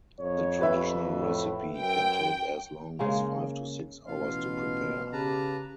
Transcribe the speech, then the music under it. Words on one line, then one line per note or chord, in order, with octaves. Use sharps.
The traditional recipe can take as long as five to six hours to prepare.
F2 C#5
G4 B4 E5
A2
F#2 G5
C#3 G#3 A#3
A1 B2 F4 F5
C#3 G4 B4 A5 A#5